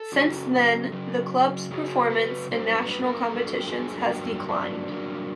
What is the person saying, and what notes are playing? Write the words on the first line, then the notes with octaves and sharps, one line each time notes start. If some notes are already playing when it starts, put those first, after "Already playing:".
Since then the club's performance in national competitions has declined.
Already playing: A4
F#2 C#3 F#3
F#2 C#3 F#3
F#2 C#3 F#3 G#4
B4
G2 D3 F#3 A#3 C5
B4
B4
A#4
G2 D3 F#3 A#3 A4
G4
G#4
G#4
G2 D3 F#3 A#3 G4
D4
G2 D3 F#3 A#3